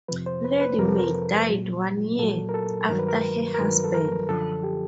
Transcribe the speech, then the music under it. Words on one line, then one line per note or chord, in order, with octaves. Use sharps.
Lady May died one year after her husband.
F2 C3 F3 B4
C5
B4
B4
F2 C3 F3 A#4
A4
A#4
A#2 F#3
A#2 F#3 A4
A#4
A4
G2 D#3 F#3 A#4
B4
A#4
A#4
G2 D#3 F#3 B4
A4
A#4
F#2 D3 F3 A4
G4